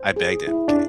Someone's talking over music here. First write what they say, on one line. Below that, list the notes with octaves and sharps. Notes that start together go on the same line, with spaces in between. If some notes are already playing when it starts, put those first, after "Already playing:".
I begged him. "Ca
Already playing: C5
G#4
E4
D4